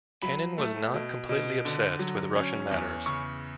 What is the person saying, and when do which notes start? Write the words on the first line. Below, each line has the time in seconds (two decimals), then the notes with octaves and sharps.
Kennan was not completely obsessed with Russian matters.
0.22 F#3 B5
0.58 A3
0.94 B2
1.29 B2
1.65 D3
1.99 F#3
2.36 C#4
2.71 E2
3.06 C#3 C#6